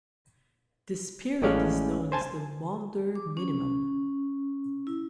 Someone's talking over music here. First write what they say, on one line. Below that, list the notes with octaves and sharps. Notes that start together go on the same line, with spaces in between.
This period is known as the Maunder Minimum.
A1 A2 G#3 C#4 D5 F5
C5 G#5 A5
D6
C#4
E4